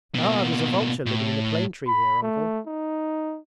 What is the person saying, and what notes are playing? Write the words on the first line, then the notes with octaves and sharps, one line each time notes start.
'Ah, there's a vulture living in the plane tree here, Uncle.
B2 A#3
A2
B5
A3
D#4